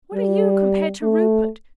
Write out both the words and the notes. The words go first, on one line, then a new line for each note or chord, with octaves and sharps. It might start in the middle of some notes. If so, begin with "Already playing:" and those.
What are you compared to Rupert?
G3
A3